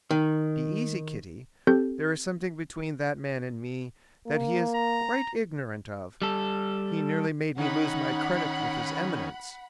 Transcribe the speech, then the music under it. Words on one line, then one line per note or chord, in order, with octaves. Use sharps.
Be easy, Kitty, there is something between that man and me that he is quite ignorant of: he nearly made me lose my credit with his Eminence.
D#3
C4 G4 A4 G6
A#3
A#5
G3 A4
D#3 C#4 D#4 F#5 B5